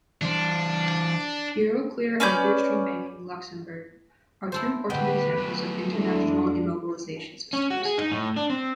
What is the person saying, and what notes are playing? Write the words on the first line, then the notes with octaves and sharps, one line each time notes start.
Euroclear and Clearstream Banking, Luxembourg are two important examples of international immobilisation systems.
E3 D4 C5
C#4 B4 D5 G6
E4 A4 C5
D2 A2 B3 G4 B4 F#5 G5
F#3 A3
F2 G#3 D4 E4 A4
C#4
F#4
G#4
D#4
A2
D4
C4